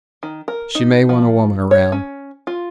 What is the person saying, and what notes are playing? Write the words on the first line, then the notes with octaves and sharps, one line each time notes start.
She may want a woman around.
D#3
A#4
D#4
F3
C#5
C#4
F4